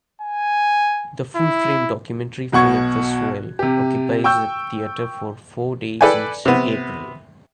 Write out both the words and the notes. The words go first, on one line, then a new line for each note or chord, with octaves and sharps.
The Full Frame Documentary Film Festival occupies the theater for four days each April.
G#5
E4
B1 B2 F#5 C#6 G#6
C3 G4
G5 C#6 E6 G6
A4 B4 D5 G5 G#5
C3 B3